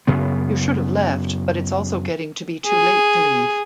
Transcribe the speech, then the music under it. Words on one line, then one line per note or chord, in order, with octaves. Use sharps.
You should have left, but it’s also getting to be too late to leave.
F#2 C#3 B3
G#4